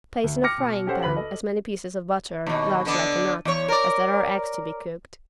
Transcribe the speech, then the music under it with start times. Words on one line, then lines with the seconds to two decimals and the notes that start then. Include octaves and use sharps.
Place in a frying pan as many pieces of butter, large like a nut, as there are eggs to be cooked.
0.24 D2
0.43 G5 D6 F6 A#6 C#7
0.58 B2
0.86 C#4 G4 A4 C5 C#5 F#5
1.03 D2 B4 B5 F#7
1.17 A4 D#5
2.47 D#2 B2
2.85 D3 B3 D4
3.45 E2 C#5
3.68 A#4 D5